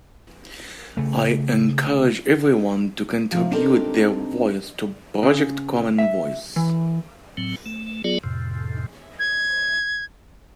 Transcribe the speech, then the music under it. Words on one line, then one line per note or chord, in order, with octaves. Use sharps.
I encourage everyone to contribute their voice to Project Common Voice.
C#3 A3
C3 F3
C4 D4 D#4 G4 A4 A#4
C#3
E5
E3
A2 F#3 C4
A3
F#3 B3 F4 G#4 D5
F2 A2 C3
G#6